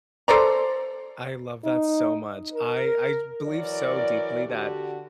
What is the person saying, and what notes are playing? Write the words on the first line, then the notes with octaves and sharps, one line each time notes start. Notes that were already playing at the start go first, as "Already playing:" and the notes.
I love that so much. I I believe so deeply that
A4 C5 D5 A#5
D#4
A#4
E3 F#3 A#4 D5
D3 F#4 G4